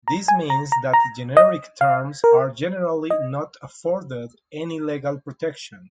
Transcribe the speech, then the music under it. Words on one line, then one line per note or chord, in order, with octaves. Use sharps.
This means that generic terms are generally not afforded any legal protection.
A#5
G#5
A#5
A#5
A#5
D#5
F5
A#4
D#5